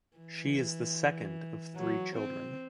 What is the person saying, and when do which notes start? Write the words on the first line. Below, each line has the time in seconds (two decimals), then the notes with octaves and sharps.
She is the second of three children.
0.17 E3
1.75 F#3
2.16 C4